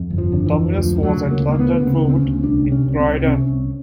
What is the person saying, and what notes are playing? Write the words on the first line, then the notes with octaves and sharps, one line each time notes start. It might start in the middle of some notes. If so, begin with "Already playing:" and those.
The terminus was at London Road in Croydon.
Already playing: F2
G1
F3
D3
E3
F2
D2 F3
D2
F#3
C#3
A#3
D2
A#3
D2 B3
C#3
C4
D2
C4
C#4
D2
C2 D4
C3
C#4
C2
C#4
C4
C2
C3 C#4
C2